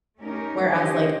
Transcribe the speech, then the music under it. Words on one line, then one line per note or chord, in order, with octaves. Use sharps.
whereas, like,
A3 C#4 D#4 G4 A#4
C#4 D4 G4 C5 C#5 D#5